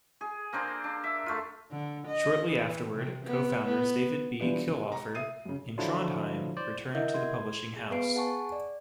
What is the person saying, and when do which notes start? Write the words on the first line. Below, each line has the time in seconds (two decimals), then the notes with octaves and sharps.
Shortly afterward, co-founders David B., Killoffer, and Trondheim returned to the publishing house.
0.21 G#4
0.53 A#3 C4 D4 C5
0.84 D4
1.04 E5
1.26 A3 F4
1.71 D3
2.07 D#5
2.48 E3
2.94 C3
3.26 B3
3.65 B3
4.40 E3 G3 B3 D4 F4 G4
4.68 C3
4.92 A#5
5.15 E5 D#6 C7 D#7
5.45 F#2 C#3
5.78 D3 F3 F#3 D4 E4 F4
6.57 C5 D5
6.95 E4 A#4 D#5 E5 F#5 G6
7.14 C6 G#6
7.76 G#4
7.90 B3 B4 F5 C7 D7
8.15 G#4 F#5 G#5 A5 C#6
8.52 D5